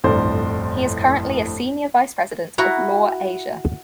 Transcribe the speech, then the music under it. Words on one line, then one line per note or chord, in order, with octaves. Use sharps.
He is currently a senior Vice-President of Law Asia.
G1 F2 A2 D3 C5 D5
E4 F#4 A#5